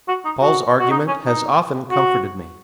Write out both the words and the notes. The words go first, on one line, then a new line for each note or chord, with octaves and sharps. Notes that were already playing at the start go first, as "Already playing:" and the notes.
Paul's argument has often comforted me.
F#4
D#4
F#4
F#4
D#4
C#4
D#4
F#4